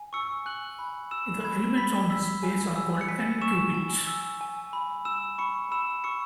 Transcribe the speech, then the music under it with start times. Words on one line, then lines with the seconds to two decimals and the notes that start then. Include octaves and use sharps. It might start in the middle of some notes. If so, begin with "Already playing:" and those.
The elements of this space are called "n"-qubits.
Already playing: G#5
0.13 C#6 E6 C#7
0.46 G#5 F#6 F#7
0.79 B5
1.11 E6 E7
1.44 B5 G#6
1.78 B5 B6
2.10 E6 B6
2.43 G#5
2.76 E6
3.01 C#7
3.08 G#5 B6
3.42 C#6 E6 E7
3.74 G#5
4.07 E6
4.41 G#5
4.73 B5
5.05 E6 E7
5.38 B5 C#6 C#7
5.71 B5 E6 E7
6.04 C#6 E6 C#7